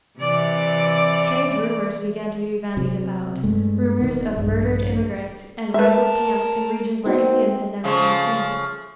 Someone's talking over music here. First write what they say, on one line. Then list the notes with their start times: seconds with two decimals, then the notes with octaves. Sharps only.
Strange rumours began to be bandied about--rumours of murdered immigrants and rifled camps in regions where Indians had never been seen.
0.18 C3 E3 D5
2.77 C3 F#3
3.43 G2 G#3 A3
4.01 E1 B2 D#3 A#3
4.36 A#1 G2
5.74 G#3 A#4 B4 E5 A5
7.06 B3 C4 D#4 F#4
7.84 C#3 F3 A3